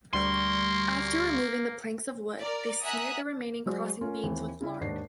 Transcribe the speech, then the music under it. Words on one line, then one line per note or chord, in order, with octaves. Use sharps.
After removing the planks of wood, they smeared the remaining crossing beams with lard.
D2 G3 A#3 C6 C#6
A#4 D5
E5 F#5 G#5 A#5 D#6 F#6
F#3 G#3 F#4 C5 D5
C#4 F4 A#4
D#2 E3 C4
C#3 C#4 E4
D#2 G#2 D4 C7